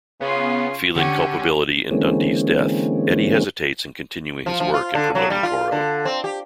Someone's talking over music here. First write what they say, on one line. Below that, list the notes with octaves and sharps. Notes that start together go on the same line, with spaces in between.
Feeling culpability in Dundee's death, Eddie hesitates in continuing his work in promoting Toro.
C#3 B3 C#4 F4
D3 C#4 G4 F#5
D3 E3 G#3 A#3 C4 C#4
F3
F3
F4
D3
F#3
G3
F4
D3
C4
G4